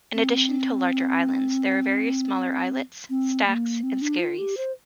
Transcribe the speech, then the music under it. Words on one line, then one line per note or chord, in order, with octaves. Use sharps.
In addition to the larger islands thare are various smaller islets, stacks and skerries.
C4
C4
A#3
C4
D4
F4
G4
C5